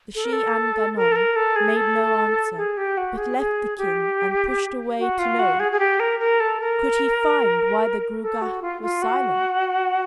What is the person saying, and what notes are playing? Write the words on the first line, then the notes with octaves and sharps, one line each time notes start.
The Shee an Gannon made no answer, but left the king and pushed away to know could he find why the Gruagach was silent.
A4
A#4
A4
A#4
A4
A#4
A4
G#4
A4
G#4
G4
F#4
G#4
G#4
G4
F#4
F4
F#4
G#4
G#4
G4
A#4
A#4
A4
A#4
A4
F#4
F4
F4
F#4